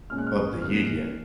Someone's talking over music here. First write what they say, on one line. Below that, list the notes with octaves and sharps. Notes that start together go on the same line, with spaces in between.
up the ying-yang.
A#2 G#3 C#4 F6
F#6
F6
D#6
D#2 C#3 F#3 A#3 C#4 F6